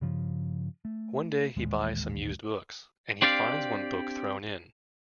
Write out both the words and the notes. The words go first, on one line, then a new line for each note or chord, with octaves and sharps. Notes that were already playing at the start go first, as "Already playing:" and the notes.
One day, he buys some used books, and he finds one book thrown in.
G2 C#3 F3
A3
D#1 A1 D#2 G#3
C4 D4 G4 D5 F5